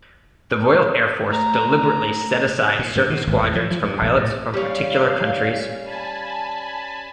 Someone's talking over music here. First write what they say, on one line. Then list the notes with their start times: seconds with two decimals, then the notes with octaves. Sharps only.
The Royal Air Force deliberately set aside certain squadrons for pilots from particular countries.
1.31 A3 A#5
2.79 A#2
2.96 G2
3.10 B2
3.27 G#1
3.42 E2
3.55 F3
3.71 F3
3.84 G2
4.02 A#1
4.17 A2
4.54 G3 C#4 F5
5.84 G#5 A5 B5